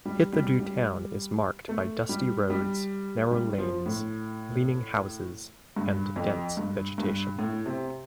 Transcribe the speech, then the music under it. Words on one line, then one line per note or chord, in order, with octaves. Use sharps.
Hithadhoo Town is marked by dusty roads, narrow lanes, leaning houses and dense vegetation.
G3
G3
G3
A3
G3
G3
G3
F3
A2
G2
F2
G2
G2
A2
C3